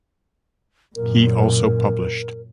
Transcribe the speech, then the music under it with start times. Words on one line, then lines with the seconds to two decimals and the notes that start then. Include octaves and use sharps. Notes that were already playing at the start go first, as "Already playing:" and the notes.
He also published.
0.96 F#2 A#2 A#4